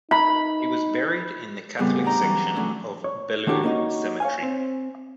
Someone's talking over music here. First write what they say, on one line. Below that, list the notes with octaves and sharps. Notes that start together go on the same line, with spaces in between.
He was buried in the Catholic section of Bellu cemetery.
D#4 B5
A2 C#3 G3 B3 C4
D4 D#4 D5 A#5 G6
E3 F#3 G3 C#4
F#3 A3 C#4 D4
C#5
D#3 A3 D4 F#4 G4 A#4
A#3 C#4 D#4 F#4 C#5
C#5 F5 G#5
C4